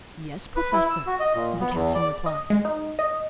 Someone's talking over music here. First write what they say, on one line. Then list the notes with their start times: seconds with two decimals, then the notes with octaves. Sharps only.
"Yes, professor," the captain replied.
0.56 B4
0.73 E4
0.90 E6
1.07 F#4
1.20 D#5
1.35 A#2
1.60 B3
1.73 E2
1.95 D5
2.26 D#5
2.50 G#3
2.65 D#4
2.99 D#5